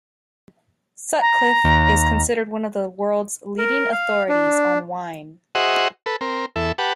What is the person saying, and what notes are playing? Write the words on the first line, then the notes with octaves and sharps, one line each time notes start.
Sutcliffe is considered one of the world's leading authorities on wine.
A#5
D#2
A#4
F5
D4
F#4 G#4 C5 D#5 E5 F#5
A4 B4
C4 A#4
E2 A4 E5
G4 B4 F#5 A5